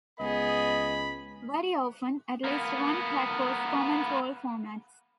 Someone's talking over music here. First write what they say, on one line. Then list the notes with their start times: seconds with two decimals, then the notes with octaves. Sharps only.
Very often, at least one track was common to all formats.
0.20 C#2 B3 G#4 D#5 B5
2.44 A#3 B3